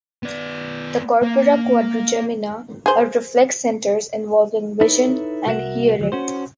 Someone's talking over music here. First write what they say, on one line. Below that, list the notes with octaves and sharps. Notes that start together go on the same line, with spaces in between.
The corpora quadrigemina are reflex centers involving vision and hearing.
B3 D5
A#3
G#4 C5
D#4 E4 A4 B4 C#5
C2 F#4 A#4 E5 F#5
D2 E3 F#3
C#4 F#4 C5